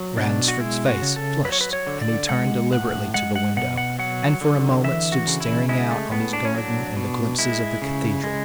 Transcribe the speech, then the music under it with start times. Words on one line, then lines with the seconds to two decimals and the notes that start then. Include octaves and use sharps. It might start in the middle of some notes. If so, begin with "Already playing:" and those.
Ransford's face flushed and he turned deliberately to the window, and for a moment stood staring out on his garden and the glimpses of the Cathedral.
Already playing: F#3
0.17 B2 D4
0.48 F#4
0.60 G#3 E4
0.88 F#4
1.02 C#3
1.16 A4
1.45 F#3 B4
1.52 C#5
1.61 B4
1.73 C#5
1.87 D3
2.02 D5
2.29 G#3 F#5
2.72 A2 F#5
3.14 G#3 F#5
3.35 F#5
3.56 B2 F#5
3.77 F#5
3.99 F#3 F#5
4.41 D3
4.84 E3 E5
5.12 F#4
5.27 C#3
5.40 E4
5.69 G#3 E4
5.91 A3
6.11 A2 B3
6.33 D4
6.45 C#4
6.55 F#3 D4
6.97 B2
7.39 G#3 E4
7.82 C#3
8.24 G#3